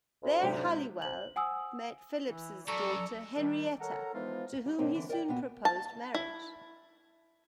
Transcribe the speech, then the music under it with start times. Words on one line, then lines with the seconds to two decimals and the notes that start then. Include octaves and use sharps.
There Halliwell met Phillipps's daughter, Henrietta, to whom he soon proposed marriage.
0.23 D2
0.41 G#2 C3 F#3
1.02 C5 F#7
1.36 F#5 G#5 D#6 E6
2.28 E3
2.68 F#2 A4 D5 A#5 C#6
3.36 D#3 G3
3.80 A4 A#4 C#5 F#5 A#5
4.14 E3 F3 G#3 B3 D#4 F4
4.66 G3
4.78 G#2 B2 A#3 C4 C#4
4.95 D3 E3
5.09 A#4 D5 D#5 G5
5.28 A#2 B3 F#4
5.65 A5
6.15 E4